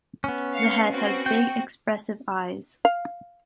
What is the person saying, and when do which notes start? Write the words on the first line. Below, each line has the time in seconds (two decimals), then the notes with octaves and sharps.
The head has big expressive eyes.
0.24 B3 C#4
0.54 F5 C#7
0.90 C4 F#4
1.26 G5
2.85 F5